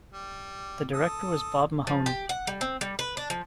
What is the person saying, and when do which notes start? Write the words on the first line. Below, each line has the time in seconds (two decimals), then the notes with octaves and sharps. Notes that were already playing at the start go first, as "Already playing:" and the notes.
The director was Bob Mahoney.
0.13 G3
0.94 A4 D#6
1.87 F3
2.06 G4
2.29 F#5
2.47 G3
2.61 C4
2.81 G3
2.99 B4
3.17 D4
3.30 F3